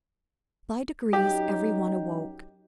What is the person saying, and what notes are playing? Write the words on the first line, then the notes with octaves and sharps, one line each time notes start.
By degrees every one awoke.
F#2 F#3 D#4 G4